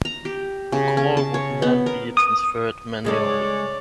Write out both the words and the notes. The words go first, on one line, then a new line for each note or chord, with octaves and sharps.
The call would then be transferred manually.
A#5
G4
C#3
C#4
A5
C#5
B3
A#4
D#6
C#3 G#3 A4 C#5 D5